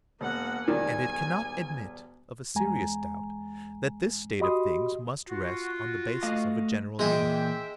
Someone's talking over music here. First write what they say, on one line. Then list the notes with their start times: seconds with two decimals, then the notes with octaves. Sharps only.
And it cannot admit of a serious doubt, that this state of things must rest on the basis of a general Union.
0.21 E1 A#3 F#5
0.68 E1 D#3 G3 D5 G#5
2.55 E2 G#3 G#5 A#5
4.40 F#4 G4 D#5 B5 C6 D#6
5.28 F4 F#4
6.23 A3 D#5 F5
6.99 A#2 E3 G#3 D#4 E5 G5